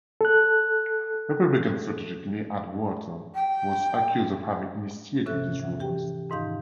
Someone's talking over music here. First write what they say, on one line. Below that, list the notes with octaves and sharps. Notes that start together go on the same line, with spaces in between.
Republican strategist Lee Atwater was accused of having initiated these rumors.
A4 F#6
G5
G#2 C3 C#4 A4 E5 F#6
E3
F#4 G4 G5
F2 G#2 D#3 D#4 F5 G6